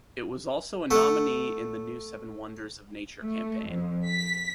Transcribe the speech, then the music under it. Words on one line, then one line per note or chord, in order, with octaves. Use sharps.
It was also a nominee in the New Seven Wonders of Nature campaign.
A3 F#5
A3
F2
B6